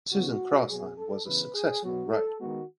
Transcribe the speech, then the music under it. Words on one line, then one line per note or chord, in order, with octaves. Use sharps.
Susan Crosland was a successful writer.
C#3 F#3 B3 F#4
B2 F#3 B3 G#4
A4
C#3 E3 B3 B4
G#4
B2 F#3 B3 F#4
A4
D#3 G#3 B3 F#4